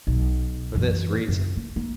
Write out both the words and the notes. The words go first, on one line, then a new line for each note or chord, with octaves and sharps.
For this reason.
B1
F#2 E3
F#2 C#3
A#3
A#3